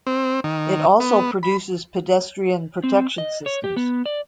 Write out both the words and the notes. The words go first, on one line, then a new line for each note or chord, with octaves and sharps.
It also produces pedestrian protection systems.
C4
D#3
B3
B5
C4
D#5
C#5
G4
B3
D5